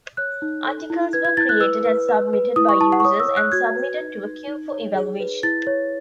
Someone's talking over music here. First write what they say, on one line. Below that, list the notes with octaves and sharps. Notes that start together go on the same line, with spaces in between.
Articles were created and submitted by users and submitted to a queue for evaluation.
C#5 F#6
D#4
A4
E4
B4 G#6
G#6
E4 A6
F#6
B4 E6
B4
B4
B4
E4 D#6
C#6
E4 A5
F#5
C#6
C#5 D#6
E6
C#5
F#6
F#4 G#6
B4
D#4
D#4
D#4
C#5
G#4
B4
E4 A6
C#5